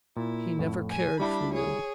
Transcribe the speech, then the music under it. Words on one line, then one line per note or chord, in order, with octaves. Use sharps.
He never cared for you.
A#2 E4
F2 A2
G#5
G3 D4 E4 B5
G#4 C#5